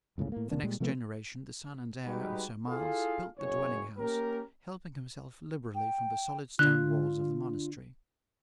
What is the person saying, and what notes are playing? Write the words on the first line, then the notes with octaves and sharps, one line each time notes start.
In the next generation, the son and heir of Sir Miles built the dwelling-house, helping himself liberally from the solid stone walls of the monastery.
G1 C#2 A2 C#3
A2 A#3
E1 C3 A#3 D4
A#2 G3 G#3
C3 F3 A3 B3
G3 G#3 D#4 F#4 G4 B4
E4 F4 G#4 A4 F5
F#1 B2 G#4 C#5
A#3 C#4 G4 A#4
G5
D3 D4 F4 F#6